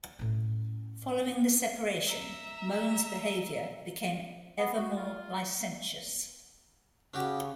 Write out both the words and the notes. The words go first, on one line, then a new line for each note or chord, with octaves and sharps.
Following the separation, Mohun's behaviour became ever more licentious.
A2 C#4
E5 A#5
B3
F#4
F4
C#3 C#4 F#4 G4